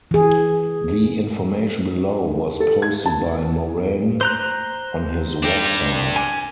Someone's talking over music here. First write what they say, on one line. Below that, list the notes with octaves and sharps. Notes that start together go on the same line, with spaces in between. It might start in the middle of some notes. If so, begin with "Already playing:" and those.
The information below was posted by Moran on his website.
E3 G#4
A4
G#6
A5
C5 A#5 F#6
D4 G5
G#5